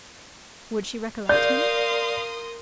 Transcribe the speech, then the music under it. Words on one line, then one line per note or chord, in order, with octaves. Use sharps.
Would she recollect him?
A#4 D5 F5 C6 D#6 G6